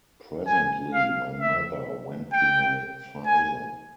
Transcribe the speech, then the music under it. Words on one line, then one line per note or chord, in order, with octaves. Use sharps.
Presently my mother went to my father.
G#5
F5
E5
G5
G#5